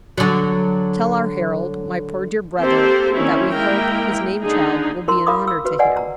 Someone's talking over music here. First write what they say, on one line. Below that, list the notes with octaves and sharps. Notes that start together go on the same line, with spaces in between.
"Tell our Harold--my poor dear brother--that we hope his name-child will be an honor to him."
D3 F#3
A#3 C4 G4 A4 C5
D#3 A#3 C4 C#4 E4
G#3 A#3 E4 A#4 G5
D3 D#4 G#4
E4 A#4 C6
A#4 F5 A#5 B5 D6 D#6
E6
F#4 B4
D5 D#5 F#5 G#5
A#5